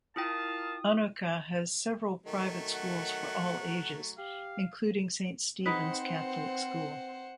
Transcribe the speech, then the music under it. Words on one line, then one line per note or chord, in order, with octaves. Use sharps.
Anoka has several private schools for all ages, including Saint Stephens Catholic School.
E4 F4 A#4 F5 G5 A5 D#6
D#3 F#3 A3
F#5
G4 F5
C4 D#4 G#4 B4 C5 F#5